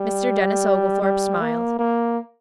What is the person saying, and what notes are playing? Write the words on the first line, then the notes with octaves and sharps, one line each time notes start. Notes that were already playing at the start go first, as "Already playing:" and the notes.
Mr. Denis Oglethorpe smiled.
Already playing: G3
G3
A#3
A#3